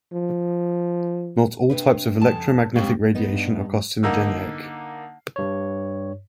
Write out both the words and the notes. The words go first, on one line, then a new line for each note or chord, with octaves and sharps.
Not all types of electromagnetic radiation are carcinogenic.
F3
C3 D4 B4
F2 C#3 A5
G#2 G#3 C4 G4 F5
B3 D#4
G2
D3 A#3 D#4 E6
G2 C#5